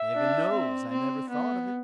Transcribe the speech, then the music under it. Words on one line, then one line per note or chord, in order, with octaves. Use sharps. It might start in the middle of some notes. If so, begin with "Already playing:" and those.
Heaven knows I never thought of it.
Already playing: E5
D4
C4
C4
B3